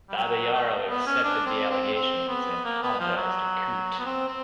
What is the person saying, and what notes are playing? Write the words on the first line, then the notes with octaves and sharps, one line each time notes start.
Babayaro accepted the allegations and apologised to Kuyt.
G3
F#3
A3
B3
C#4
D4
C4
C4
C4
B3
A#3
B3
F3
F#3
B3
C4
C4